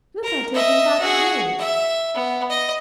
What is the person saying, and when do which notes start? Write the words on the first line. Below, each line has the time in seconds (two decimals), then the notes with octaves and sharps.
Look at it in that way?
0.23 A#4
0.54 D#5 E5
1.00 F#4 G#4
1.58 E5
2.14 B3
2.50 D#5